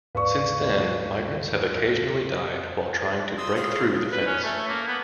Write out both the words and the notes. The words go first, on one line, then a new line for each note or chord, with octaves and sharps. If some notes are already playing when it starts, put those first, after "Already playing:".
Since then, migrants have occasionally died while trying to break through the fence.
D#2 G#2 B4 D5 F5 C#6
C6 D#6 E6
G#4 C#5 F5
B4
C#4
A3
A#3
B3